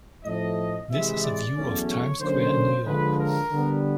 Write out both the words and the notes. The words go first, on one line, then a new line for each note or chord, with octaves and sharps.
This is a view of time square in New York.
A2 F3 A3 C4 D#5
C3 E3 G#3 E5
D5
E2 B2 F#3 A3 C#4
C#5
D3 F#3 A#3 C#4 C5
D3 F3 G#3 B4
A#4
D3 G3 B3